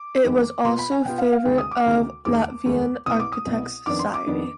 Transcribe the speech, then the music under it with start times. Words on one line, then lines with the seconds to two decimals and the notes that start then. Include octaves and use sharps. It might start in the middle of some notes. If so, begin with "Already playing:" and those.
It was also favorite of Latvian Architects’ Society.
Already playing: D6
0.24 F2 D#3 G#3
0.65 B2 B3 F4 C6
0.79 B5
0.91 G#5
1.05 B2 B3 F4 G5
1.18 F5
1.32 F5
1.45 D2 C3 D#3 G#3 G5
1.58 D#6
1.71 D6
1.86 D2 C3 D#3 G#3
2.25 F1 D#2 D#3 G#3 D6
2.66 F1 D#2 D#3 G#3
3.06 C2 B2 B3 D#6
3.20 D6
3.32 D#6
3.46 C2 B2 B3
3.86 F2 D#3 B3 D4 D6
3.99 C6
4.14 D6
4.27 F2 D#3 B3 D4